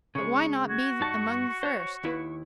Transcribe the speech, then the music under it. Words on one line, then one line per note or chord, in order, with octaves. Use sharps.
But why not be among the first?
C#3 G#3 C#6
F#4 G#6
G2 D#4 A5 C#6
C5 C#5
D#2 E4 B4